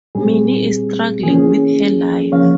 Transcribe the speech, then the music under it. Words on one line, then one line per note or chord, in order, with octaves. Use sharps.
Minny is struggling with her life.
A#2 G3 C4 G#4
E3 A#3 C#4 G#4
F3 A#3 C#4 C#5 F5